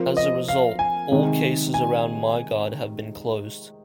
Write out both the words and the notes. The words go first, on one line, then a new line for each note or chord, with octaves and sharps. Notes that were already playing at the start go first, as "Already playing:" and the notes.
As a result, all cases around MyGuide have been closed.
Already playing: F3 C4 F4 A#4
D#5
F5
G#5
C3 D#3 G#3 D#4
G#5